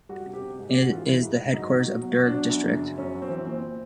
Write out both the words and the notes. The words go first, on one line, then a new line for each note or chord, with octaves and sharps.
It is the headquarters of Durg District.
G3 F#4
C3
G4
C3
G#2
G4
G#2
F#4
E3 F4
G3 E4
G#2
G#2
F#3 D#4
F#3
B2
F#3
B2
D4
B2
F#2
C#3
F#2
F#2 C#4
F#2
C4
E3
A#2 C4
A#2